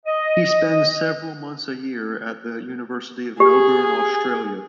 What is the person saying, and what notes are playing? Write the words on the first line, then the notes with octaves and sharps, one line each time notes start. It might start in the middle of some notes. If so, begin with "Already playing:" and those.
He spends several months a year at the University of Melbourne, Australia.
D#5
G4 G#4